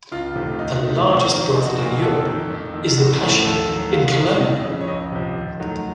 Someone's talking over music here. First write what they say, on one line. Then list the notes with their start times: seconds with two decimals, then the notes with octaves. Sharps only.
The largest brothel in Europe is the Pascha in Cologne.
0.12 C#2 F4
0.36 C3 D#3 A3
0.59 D#2 D#4
0.84 D#3 A3
1.07 F2 C4
1.31 D#3 A#3
1.54 A#1 D#4
1.67 F#4
1.78 A#2 F3 A#3 F#4
2.02 F2 A4
2.26 D#3 A#3
2.50 F2
2.74 D#3 A#3
2.97 A1 F#4
3.21 A2 F3 A3
3.45 D#2 A4
3.69 D#3 F#3 A3
3.93 A#1 F5
4.17 A2 F3 A3
4.41 F2 D#5
4.65 C#3 F3
4.81 C#5
4.88 C#2 D#5
5.12 C3 F3
5.36 D#2
5.60 D#3 F#3 A3